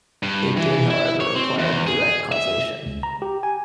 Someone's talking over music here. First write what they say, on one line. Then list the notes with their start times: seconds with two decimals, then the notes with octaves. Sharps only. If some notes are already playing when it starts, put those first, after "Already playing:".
It did, however, require direct causation.
0.23 G2
0.57 E3
0.90 E4
1.21 C#5
1.35 C4
1.59 E2
1.87 G#4
2.32 E5
2.86 C#2
3.03 A#5
3.22 G4
3.43 G#5